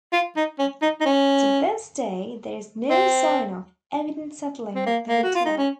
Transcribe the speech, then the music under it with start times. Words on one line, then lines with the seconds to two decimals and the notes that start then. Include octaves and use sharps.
To this day there is no sign of evident settling of the hotel.
0.12 F4
0.36 D#4
0.59 C#4
0.82 D#4
1.01 D#4
1.05 C#4
2.90 C4
4.75 C4
4.86 A#3
5.08 A#3
5.23 F#4
5.35 F4
5.45 D#4
5.58 C#4